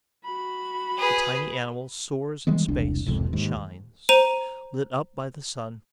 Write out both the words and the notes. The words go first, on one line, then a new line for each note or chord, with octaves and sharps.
The tiny animal soars in space and shines, lit up by the sun.
F#4 B5
G#4 B4
E3 G3 G#3 B3
E1 C2 D4
E1 C2 F2 G#2
D#2 G#2
C5 A#5 D#7 F7